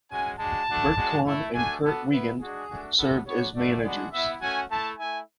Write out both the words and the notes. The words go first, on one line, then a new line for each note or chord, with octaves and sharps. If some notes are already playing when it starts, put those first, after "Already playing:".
Bert Conn and Curt Wiegand served as managers.
G#3 C#4 F#4 G#5
G#3 D4 F#4 A5
A3 D4 F#4
G#3 D4 F#4
A3 E4
A3 D4 F#4 G#5
B3 D4 F#4 A4
B3 E4 B4
G#3 D4 F#4 G#4
A3 D4 F#4
B3 D4 F#4 A4
B3 D4 F#4 C#5
A3 D4 F#4 D5
G#3 B3 D4 F#4
B3 E4 E5
A3 C#4 F#4 G#5
A3 E4 A5
A3 E4 G#5